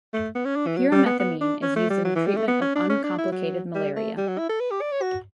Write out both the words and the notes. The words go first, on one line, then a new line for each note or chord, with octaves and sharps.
Pyrimethamine is used in the treatment of uncomplicated malaria.
A3
B3
C#4
D4
E3
F#3
G3
B3
B3
D4
C#4
A3
G3
F#3
E3
G3
A3
B3
C#4
D4
C#4
D4
E4
F#3
G3
A3
G3
F#3
E4
A4
B4
G4
D5
C#5
F#4